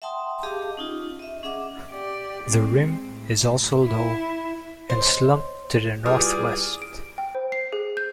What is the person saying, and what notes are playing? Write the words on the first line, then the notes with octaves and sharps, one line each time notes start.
The rim is also low and slumped to the northwest.
E5 F#5 G5 A5 C6 D#6
G4 G#4 D#5 F5 A5 D6
C#4 D#4 F4
D#5 E5
C#4 G#4 E5 F#5 D6
G4 D5
G#3 C4
A2
E4
C5 C#5 D#5 C6
G3 E4 F4 G#4 B4 D#6 F6
D7
G5
C5
C7
G#4
G6